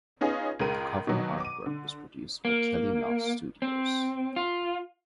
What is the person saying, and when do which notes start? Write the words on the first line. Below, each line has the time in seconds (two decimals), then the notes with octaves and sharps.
The cover artwork was produced by Kelley-Mouse Studios.
0.21 B3 C#4 D#4 F4 G#4
0.60 C#2 G#3 A#4 D#7
1.07 B2 D#3 F#3
1.40 D6 D#7
1.66 D3
2.45 A#3
3.62 C4
4.36 F4